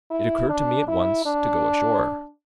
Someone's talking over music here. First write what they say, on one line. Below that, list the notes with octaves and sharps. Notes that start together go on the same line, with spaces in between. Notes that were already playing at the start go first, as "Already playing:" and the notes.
It occurred to me at once to go ashore.
E4
D4
E4
D4